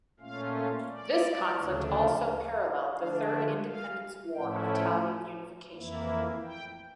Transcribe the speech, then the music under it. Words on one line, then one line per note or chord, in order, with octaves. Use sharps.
This conflict also paralleled the Third Independence War of Italian unification.
A#2 A3 C#4 F4 F5
D5
D2 C#3 F3 A3 D4
D3 F3 A3 D4 F5
E5
F5
A2 F3 A3 C#4 E4 G5
G5
F2 E3 A#3 E4
G5